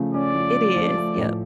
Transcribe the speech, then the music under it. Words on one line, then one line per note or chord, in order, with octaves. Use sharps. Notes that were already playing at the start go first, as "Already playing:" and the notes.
It is, yep.
Already playing: C#3 F3 A3
C#4 D5
F3
A3
F3
A3
A2